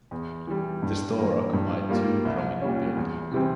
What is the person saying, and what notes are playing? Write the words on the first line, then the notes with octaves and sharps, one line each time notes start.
The store occupied two prominent buildings.
E2
E3 G3
G2
E3 A#3
G2
G3 A#3 F4
C2
A#2 G3 C#4
E2
C3 E3 G3 C4